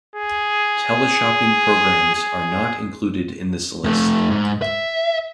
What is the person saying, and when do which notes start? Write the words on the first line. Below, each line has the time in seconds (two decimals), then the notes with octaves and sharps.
Teleshopping programs are not included in this list.
0.16 G#4
2.15 G#4
3.84 F2 A3
4.30 G#2
4.62 E5